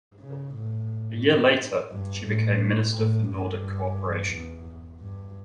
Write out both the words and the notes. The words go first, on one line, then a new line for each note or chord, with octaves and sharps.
A year later, she became Minister for Nordic Cooperation.
C#3
A2
G2
A2
A2
G2
E2
G2